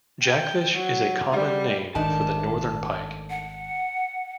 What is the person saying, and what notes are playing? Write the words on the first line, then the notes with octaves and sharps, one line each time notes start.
"Jackfish" is a common name for the Northern Pike.
G5
F#3
G3
G#1 D#3 A3 D4 A5
F#5